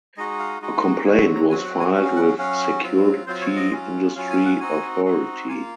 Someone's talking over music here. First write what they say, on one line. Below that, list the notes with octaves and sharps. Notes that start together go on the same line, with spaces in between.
A complaint was filed with Security Industry Authority.
G#3 D#4 F#4 D#5
F5
G#3 D#4 F#4
F#3 C4 F#4 C#5
G#5
A#5
F#3 C4 F#4 G#5
F#5
G#5
F#3 C#4 F#4 F#5
F5
F#5
F5
F#3 C#4 F#4 F5
F#3 C4 F4
F#3 C4 F4 C5
C#5
D#5
F#3 C#4 F4
F#3 C#4 F4 F5
G#5
F#5
C4 D#4 F#4 G#5
C4 D#4 F#4
A#3 F4 G#5